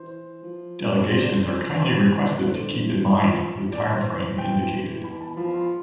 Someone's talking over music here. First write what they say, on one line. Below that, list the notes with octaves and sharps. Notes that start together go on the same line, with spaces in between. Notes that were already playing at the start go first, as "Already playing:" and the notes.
Delegations are kindly requested to keep in mind the time frame indicated.
Already playing: E3 C5
F3
E3 C5
D5
F3 C5
E3 D5
F3
B4
E3 C5
E3
E3
E3
D3 C5
E3
E3
F3
E3
D5
C5
G5
E3 B5
A5
F3 B5
C6